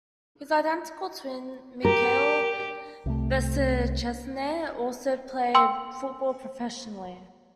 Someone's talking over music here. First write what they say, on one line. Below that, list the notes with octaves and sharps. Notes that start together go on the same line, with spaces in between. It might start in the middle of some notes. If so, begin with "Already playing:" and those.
His identical twin Mikhail Beschastnykh also played football professionally.
G4 A#4
C2 C3 G3 A3
G5 C6 E6